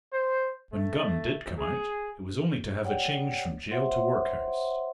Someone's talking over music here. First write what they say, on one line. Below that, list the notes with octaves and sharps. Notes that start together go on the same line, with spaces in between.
When Gun did come out, it was only to have a change from gaol to workhouse.
C5
A3
G#4
G4 C#5 D5 F#5 G5
C5 C#5 E5 F#5 G5 C6